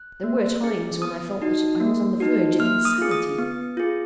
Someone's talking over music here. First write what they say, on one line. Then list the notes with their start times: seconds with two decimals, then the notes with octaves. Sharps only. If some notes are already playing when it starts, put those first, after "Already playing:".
There were times when I felt that I was on the verge of insanity.
Already playing: F#6
0.24 A#3
0.63 C#4 G#4
1.02 B3 D#6
1.42 D#4 F#4
1.80 A#3
2.20 D#4 F#4
2.59 A#3 F6
2.85 D#6
2.98 F4 G#4
3.11 D#6
3.39 B3
3.77 F4 G#4